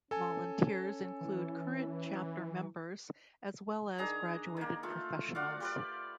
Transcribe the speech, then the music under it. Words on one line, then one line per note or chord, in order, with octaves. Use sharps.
Volunteers include current chapter members as well as graduated professionals.
C#4 A4 G#5
E3
D#3 D4 G#4 A#5
D#3 A#3
A3 F4 A4
F4 F#4 D5 F5
G4 B4 D5